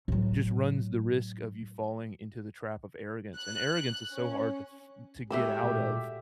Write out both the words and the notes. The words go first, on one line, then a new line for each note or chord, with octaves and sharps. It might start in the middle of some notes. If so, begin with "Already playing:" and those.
just runs the risk of you falling into the trap of arrogance, and arrogance is so hard to f to get out of
A2 F#3
F#6
C#4
G#3 A3 F#4 G4 E5 E6
A#2